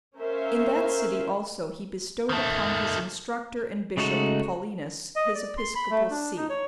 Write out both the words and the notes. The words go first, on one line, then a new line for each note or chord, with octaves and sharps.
In that city also he bestowed upon his instructor and bishop, Paulinus, his episcopal see.
C#4 A#4 C5 C#5 E5 F5
D#3 A3
C#3 G#3 A3 D#4 F#4
D#5
D5
C6
B5
A3
D4
D#4
C#5